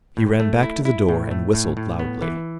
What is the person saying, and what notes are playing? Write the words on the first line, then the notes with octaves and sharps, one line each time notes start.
He ran back to the door and whistled loudly.
A2
A3
E4
E4
A2
A3
A2
A2
B3
E3